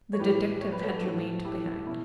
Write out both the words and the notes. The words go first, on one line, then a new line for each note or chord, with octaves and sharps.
The detective had remained behind.
C#5
A2 E3 G4 B4
C#5
B4
A4 C#5
A2 E3 F#4 A4
E4 G4
B2 C#4 E4